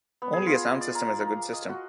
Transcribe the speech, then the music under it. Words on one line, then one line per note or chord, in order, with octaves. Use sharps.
Only a sound system is a good system.
B3
G#4
F4
D#5
D5
A#4
A#4
D#5
F#4